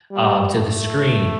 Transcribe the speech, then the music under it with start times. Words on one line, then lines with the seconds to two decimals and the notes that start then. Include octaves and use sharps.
uh, to the screen,
0.11 G3
0.55 A3